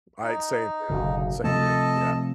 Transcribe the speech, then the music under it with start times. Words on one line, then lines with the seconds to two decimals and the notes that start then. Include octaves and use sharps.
I same, dude. Same, dude, yeah.
0.23 D#4
0.90 F#1 B2 D3
1.44 C3 F3 A3 A4 D#5 A5